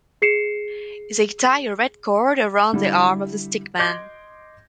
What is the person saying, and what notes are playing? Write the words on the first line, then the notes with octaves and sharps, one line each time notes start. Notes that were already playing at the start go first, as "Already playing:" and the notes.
They tie a red cord around the arm of the sick man.
G#4 C7 C#7 E7
D3 G3 E4
D#5 C6 D6 G6 G#6 A#6